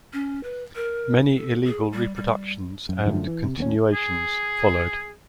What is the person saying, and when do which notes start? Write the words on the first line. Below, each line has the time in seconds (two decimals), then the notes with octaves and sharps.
Many illegal reproductions and "continuations" followed.
0.13 C#4
0.43 B4
0.76 A#4
1.37 A4
1.66 G#4
1.92 G3
2.16 G3
2.89 F#2
3.06 F#2 D3 F3 A3
3.27 E3
3.44 C3
3.58 D#2 A#3 C#4
3.93 G#4